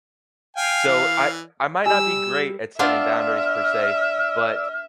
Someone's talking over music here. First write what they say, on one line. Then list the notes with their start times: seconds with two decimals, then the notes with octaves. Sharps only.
so, I I might not be great at setting boundaries per se, but,
0.57 F5 G5 G#5
0.87 E3
1.86 G3 G#5 E6
2.79 B3 D4 F4 D5 E5 E6 F6